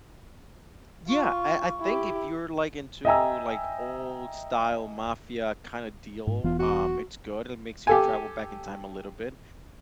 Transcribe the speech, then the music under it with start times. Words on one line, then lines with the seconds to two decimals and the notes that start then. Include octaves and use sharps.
Yeah, I I think if you're, like, into, like, old-style mafia kinda deal, um, it's good, it makes you travel back in time a little bit,
1.09 F4 C#6
1.81 E4 G4
3.05 D#5 E5 G5 G#5 A#5 E6
6.27 G#2
6.44 E1 E3 B3 F4
6.59 F#4
7.87 G4 A4 G#5